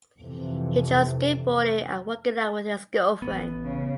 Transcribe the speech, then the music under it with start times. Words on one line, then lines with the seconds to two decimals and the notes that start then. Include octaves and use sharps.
He enjoys skateboarding and working out with his girlfriend.
0.19 F2 C3 E3
3.22 A1 B3
3.63 C#3